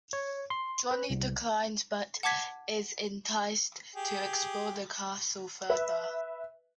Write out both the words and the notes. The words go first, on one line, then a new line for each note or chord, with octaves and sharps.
Johnny declines, but is enticed to explore the castle further.
C#5
C6
B4
C2
F#5 A5 D6 G#6 B6
G4 G#4
B4 E5